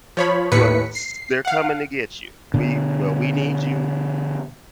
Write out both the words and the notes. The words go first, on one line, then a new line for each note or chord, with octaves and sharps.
but s they're coming to get you, "We well, we need you
F3 C#5 B5
D#2 A2 B4 B6 C#7
C7
F5 F#5
B2 D3